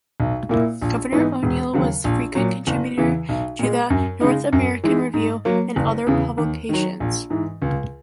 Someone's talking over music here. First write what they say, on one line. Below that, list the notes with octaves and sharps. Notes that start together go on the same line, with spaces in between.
Governor O'Neal was a frequent contributor to "The North American Review" and other publications.
B1
A#2 A#3 E4
A#1
G#2 E3 B3 D#4
E1
D#2 C#3 F#3
A#1
A#2 F#3
F#1
E2 C#3 E3
B1
A#2 G#3
F#2
C#3 G#3 D#4
F#2
E3 G#3 D#4
G#2
F#3 A#3
F#1
E2 C#3
D#2
D#3 F#3
A#1
G#2 E3
C#2